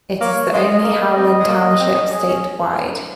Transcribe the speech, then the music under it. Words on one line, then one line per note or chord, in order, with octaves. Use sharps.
It is the only Howland Township statewide.
A#3 C#5
G#3 D#5
A#3
C4 D#5
G#3
A#3
C4
C#4
G#4
C#4